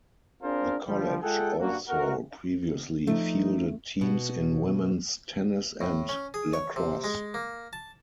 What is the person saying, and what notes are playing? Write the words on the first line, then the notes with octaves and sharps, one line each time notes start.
The college also previously fielded teams in women's tennis and lacrosse.
C4 D4 F4 G#4 A#4 C5
D3 F3 G3
G#3 F4 G#4 A4 F#5 G5
G2 A#3 F#4
A3 F#4 A#4
F3 A3 D#4
B2
A2
C#4
G#4
C#5
C3
G#3
A#3
A5